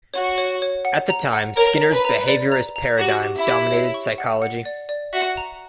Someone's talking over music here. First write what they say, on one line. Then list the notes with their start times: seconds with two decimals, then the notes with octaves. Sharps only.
At the time, Skinner's behaviorist paradigm dominated psychology.
0.14 F#4 C#5
0.38 C#5
0.62 C#5
0.85 F#5
1.10 A#5
1.33 F#5
1.57 A#4 C#5
1.81 A#5
1.93 B4
2.05 A#5
2.28 D5
2.52 A#5
2.76 A#5
2.99 F#4 G4
3.23 G4
3.35 E4
3.47 G4
3.71 C#5
3.94 C#6
4.18 F#5
4.42 F#5
4.65 D5
4.89 D5
5.13 F#4 E5
5.37 A#5